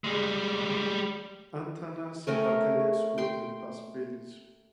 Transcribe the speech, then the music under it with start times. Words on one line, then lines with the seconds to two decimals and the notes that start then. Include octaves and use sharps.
Antanas attended school in Pasvalys.
0.04 G3 G#3
2.27 A3 C#4 A#4 G5
3.18 G5 C6